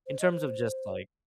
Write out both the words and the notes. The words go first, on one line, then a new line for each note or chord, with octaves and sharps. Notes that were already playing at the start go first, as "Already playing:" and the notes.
in terms of just like
C5
D#5
C5